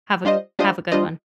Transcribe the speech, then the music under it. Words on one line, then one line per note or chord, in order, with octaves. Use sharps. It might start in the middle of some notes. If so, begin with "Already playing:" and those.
Have a have a good one.
G3 D4 F4 C5 D#5
G3 D4 F4 C5 D#5
G3 D4 F4 C5 D#5